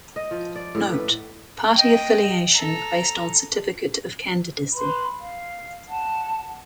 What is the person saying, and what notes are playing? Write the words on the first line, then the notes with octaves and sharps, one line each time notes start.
Note: Party affiliation based on Certificate of Candidacy.
D#5
F3
D5
A2
B4
D#5 G5
A4 A#5
B4 B5 C6
F5
F#5 A5